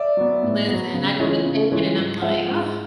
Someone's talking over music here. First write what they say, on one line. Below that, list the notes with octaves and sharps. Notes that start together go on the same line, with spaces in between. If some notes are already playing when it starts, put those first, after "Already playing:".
Listen, I go to shaping and I'm like, "Oh,"
Already playing: D5 E5
F#3 B3
A2
F#3 B3
C#3
E3 G#3 C#4 F4
C#3
E3 G#3 C#4 F4
G#2
F3 G#3 E5 F#5
G#2